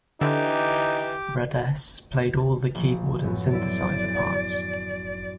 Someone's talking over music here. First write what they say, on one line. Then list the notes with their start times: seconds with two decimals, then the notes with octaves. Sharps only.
Rudess played all of the keyboard and synthesizer parts.
0.21 D3 E3 D#4 G4 D6
2.75 A#1 F3
3.24 F#2 A2 B3
3.53 E4 D5 E5